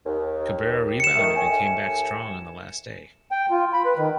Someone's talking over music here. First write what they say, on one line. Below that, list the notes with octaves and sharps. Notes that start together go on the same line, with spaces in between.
Cabrera rebounded and came back strong on the last day.
D#2
C#7 E7
D#3 A3
D#2 A3 G#5
G5
F4
B5
B4
D#3